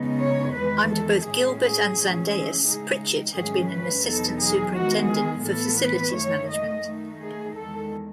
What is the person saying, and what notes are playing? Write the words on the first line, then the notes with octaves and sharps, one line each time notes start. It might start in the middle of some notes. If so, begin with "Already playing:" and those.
Under both Gilbert and Zendejas, Pritchett had been an assistant superintendent for facilities management.
Already playing: C#3 G#3 B3 D#4
C#5
E2 D#3 G#3 B4
A4
A2 G#3 C#4 G#4
G#4
A2 E3 G#3 C#4
G#4
C#3 G#3 D#4 G#4
G#2 D#3 F#3 A3 C#4 G#4
B4
E2 B2 F#3 B3 D#4 A4
G#4
D#3 G#3 B3 F#4
G#4
A2 E3 B3 A4
B4
F#2 D#3 A3 C#5
D#5
D#3 A3 D#4
G#4
E2 D#3 G#3 A4